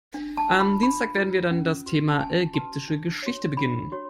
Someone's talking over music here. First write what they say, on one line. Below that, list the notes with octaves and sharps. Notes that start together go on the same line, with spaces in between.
Am Dienstag werden wir dann das Thema ägyptische Geschichte beginnen.
D4
A5
F4 B4
B5
D4 B5
F4 B4
C#4
F#4 B4
A5
C#4 G#5
F#4 B4 A5
D4
F#4 C#5
D4 B5
F#4 C#5